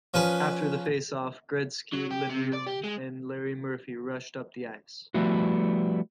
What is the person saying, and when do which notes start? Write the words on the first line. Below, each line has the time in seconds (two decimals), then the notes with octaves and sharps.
After the faceoff, Gretzky, Lemieux and Larry Murphy rushed up the ice.
0.14 F3 C#4 B4
1.93 F#3
2.11 G4
2.30 C3
2.53 D5
2.66 G4
2.83 G#3
5.14 F3 G3 A3 B3 E4 F#4